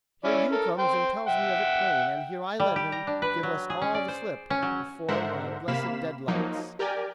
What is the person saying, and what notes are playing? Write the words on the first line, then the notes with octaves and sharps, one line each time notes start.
Here you comes and tells me of it plain; and here I let him give us all the slip before my blessed deadlights!
C#4 E4 D5
A4 A#4
C5 G5
E5 F#5 G5
G3
G4
A#5
D4
B4
F#3
G#4
C#4
D5
C5
C#4
F#3
G#2 D3 A#4 C5 E5 F#5
C3 A#3 F5 B5 B6 E7
F3 F#3 A#3 D#4
G4 A#4 D5 G5 G#5